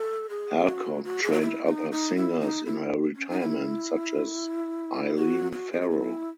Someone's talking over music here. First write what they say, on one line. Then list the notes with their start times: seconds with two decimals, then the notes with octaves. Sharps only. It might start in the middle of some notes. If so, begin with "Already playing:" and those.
Alcock trained other singers in her retirement such as Eileen Farrell.
Already playing: A4
0.29 G#4
0.66 F#4
1.04 F#4
1.23 G#4
1.32 F#4
1.41 E4
1.66 D#4
1.92 D#4
2.16 E4
2.41 D#4
2.66 E4
3.16 C#4
3.30 D#4
3.41 E4
5.16 F#4
5.52 F#4
5.72 G#4
5.81 F#4
5.90 E4